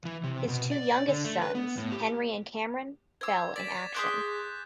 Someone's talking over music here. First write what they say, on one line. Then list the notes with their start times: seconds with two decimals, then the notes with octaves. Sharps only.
His two youngest sons-Henry and Cameron-fell in action.
0.05 E3
0.24 C3
0.48 B2
0.72 D5
1.08 D3
1.25 A3
1.42 B4
1.55 B3
1.78 A2
1.92 G4
3.21 C5 D6 E6 G#6
3.56 D5 A6 B6 E7
3.95 G#4 C6 D6 F#6 G6 B6